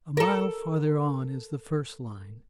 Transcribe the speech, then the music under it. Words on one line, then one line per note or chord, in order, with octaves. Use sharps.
A mile farther on is the first line.
A4 A#4